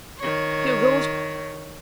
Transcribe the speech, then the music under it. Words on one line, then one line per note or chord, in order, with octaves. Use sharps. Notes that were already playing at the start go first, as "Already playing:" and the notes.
'Here goes!
D#3 C#5